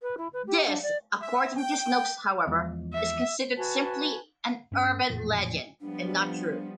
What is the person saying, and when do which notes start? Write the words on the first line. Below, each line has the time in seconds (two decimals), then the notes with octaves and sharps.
This, according to Snopes however, is considered simply an urban legend, and not true.
0.02 B4
0.17 E4
0.33 B4
0.47 G4
0.67 D4
0.82 D5
1.20 E5
1.57 G5
2.47 E2 F3 G#3
2.93 E5
3.57 F#4 B4 G#5 A5
4.72 G2 C#4
5.10 A1 F2 A#2 F3
5.81 F3 G3 B3 D4